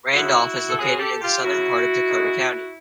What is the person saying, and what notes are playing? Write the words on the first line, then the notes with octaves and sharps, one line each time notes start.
Randolph is located in the southern part of Dakota County.
F#2 C#3 F#3 E4 F#4
A4
F#2 C#3 F#3 F#4 G#4
G4 A4
F4 G4
F#2 C#3 F#3 E4 F#4
F#2 D#3 G#3